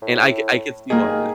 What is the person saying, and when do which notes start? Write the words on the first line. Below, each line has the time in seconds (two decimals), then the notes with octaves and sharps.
and, I cou I could see why it is.
0.02 A2
0.90 D#3 A#3 G#4